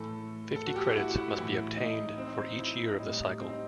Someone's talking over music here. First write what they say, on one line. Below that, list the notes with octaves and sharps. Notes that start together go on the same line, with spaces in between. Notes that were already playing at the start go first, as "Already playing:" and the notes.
Fifty credits must be obtained for each year of the cycle.
Already playing: A2 E3 A3 A4
A4
F#4
G4
E4
F#4
E4
A2 E3 A3 E4
D#4
C4
D#4
C4
E4
A2 G3 D#4
C4
D#4